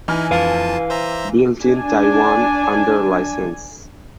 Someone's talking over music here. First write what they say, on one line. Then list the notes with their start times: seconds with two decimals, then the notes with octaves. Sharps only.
Built in Taiwan under license.
0.08 E3 D#4 E4 G#5 F6
0.31 F2 F4 B4 F5 A5
0.90 C5 E5 A#5
1.64 D4 G#5